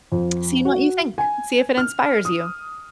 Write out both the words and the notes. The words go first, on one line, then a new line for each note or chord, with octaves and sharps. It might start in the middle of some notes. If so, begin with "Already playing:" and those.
seeing what you think. See if it inspires you.
F2
F#4
G#5
F6
D#6